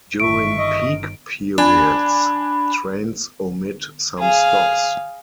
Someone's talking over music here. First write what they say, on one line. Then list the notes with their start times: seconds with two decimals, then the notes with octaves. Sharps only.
During peak periods, trains omit some stops.
0.20 G1 D#3 E5 C#6 D7
0.58 D#5
1.58 D4 G#5 B5
4.19 G#4 F5